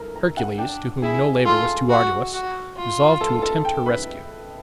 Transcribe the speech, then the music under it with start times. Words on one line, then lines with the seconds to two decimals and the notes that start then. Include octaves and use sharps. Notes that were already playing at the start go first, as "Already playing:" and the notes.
Hercules, to whom no labor was too arduous, resolved to attempt her rescue.
Already playing: A4 A#4 A#5
0.15 A#4 A#5
0.37 F#5
0.58 D4 G5
1.02 E4 G#4 G#5
1.45 F4 A4 A5
1.90 F#4
2.33 F#4
2.77 F4
3.21 A4 A5
3.42 A4 A5
3.65 G5
3.86 B4 B5